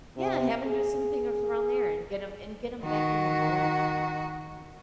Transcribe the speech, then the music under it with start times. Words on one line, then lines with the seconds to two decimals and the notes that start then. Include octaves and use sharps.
Yeah, have him do some things around there and get him and get him back in the mode of work.
0.17 C3
0.67 G#4
2.83 D#3 F#4